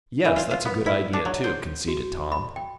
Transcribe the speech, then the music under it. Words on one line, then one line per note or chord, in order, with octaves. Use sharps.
"Yes, that's a good idea, too," conceded Tom.
E3
F4
F4
B3
E4
D4
F#3
C5
F#4
B5
G5